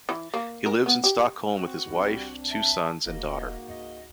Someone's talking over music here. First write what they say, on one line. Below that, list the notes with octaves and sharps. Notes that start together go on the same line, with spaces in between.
He lives in Stockholm with his wife, two sons and daughter.
E3
A#3
A#4
B3
G4
C4 F#4
C2 G3 C4 D4
E5 A5
E1 G#2 A#3 F#4 D#5
C#2 D#5